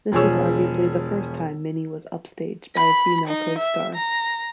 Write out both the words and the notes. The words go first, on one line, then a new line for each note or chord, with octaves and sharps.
This was arguably the first time Minnie was upstaged by a female co-star.
E1 F3 G#4 C#5 E6
B5
D#4
E5
A#5